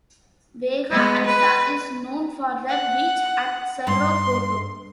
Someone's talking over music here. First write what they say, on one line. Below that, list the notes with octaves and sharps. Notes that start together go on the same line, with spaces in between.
Vega Alta is known for the beach at Cerro Gordo.
G#3 B3
B4
F#5
G2 C6